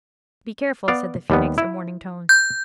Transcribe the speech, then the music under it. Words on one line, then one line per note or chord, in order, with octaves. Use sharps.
Be careful,' said the Phoenix, in warning tones.
B3 D5 F5
D#2 G3 B3
E4
G6